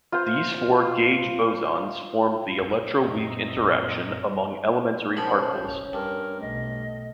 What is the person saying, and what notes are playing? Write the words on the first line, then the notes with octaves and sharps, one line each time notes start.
These four gauge bosons form the electroweak interaction among elementary particles.
F4 C5
F#2 A#2 C4 D#5 E5 A#5
A#1 F3 C#4 C5 B5
G2 A#4
B1 A3 D#5